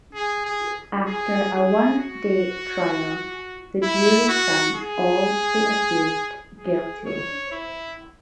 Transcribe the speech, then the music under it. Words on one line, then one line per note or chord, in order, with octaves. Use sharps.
After a one-day trial, the jury found all the accused guilty.
G#4
G#4
G#4
G#4
F#4
E4
F#4
G#4
G#4
C#5
E4